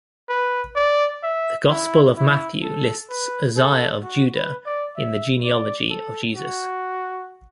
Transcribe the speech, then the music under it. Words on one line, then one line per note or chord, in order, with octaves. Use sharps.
The Gospel of Matthew lists Uzziah of Judah in the genealogy of Jesus.
B4
D5
E5
E4
E4
A4
B4
A4
F#4
B4
D5
E5
D5
A4
F#4